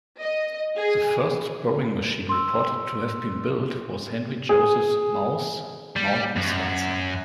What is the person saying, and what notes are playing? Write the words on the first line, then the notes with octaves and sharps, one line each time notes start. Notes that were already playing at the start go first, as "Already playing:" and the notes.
The first boring machine reported to have been built was Henri-Joseph Maus's "Mountain Slicer".
D#5
G#4
C6 E6
G#4
G3
F#2